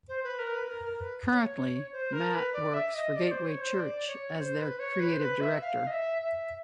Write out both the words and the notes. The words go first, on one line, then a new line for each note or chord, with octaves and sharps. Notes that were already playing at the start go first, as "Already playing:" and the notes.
Currently, Matt works for Gateway Church as their Creative Director.
C5
B4
A#4
B4
A#4
A#4
B4
C#5
C5
A#4
B4
D5
E5
D#5
D5
C5
C#5
C5
D5
C#5
C5
B4
C#5
B4
C5
B4
E5
F5
D#5
E5
E5